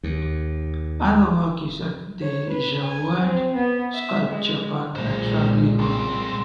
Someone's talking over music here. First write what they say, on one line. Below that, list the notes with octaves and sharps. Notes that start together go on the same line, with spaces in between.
Other work is at the Jerwood Sculpture Park at Ragley Hall.
D#2
C#5
B4
G#5
C4
B3
E5
G#3
B1 A#2 E3 G#3 C5
C2 C4